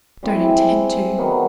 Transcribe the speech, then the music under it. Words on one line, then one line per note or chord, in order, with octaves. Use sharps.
'Don't intend to.
G3 C4 E4 G#4
D#3 F#3 B3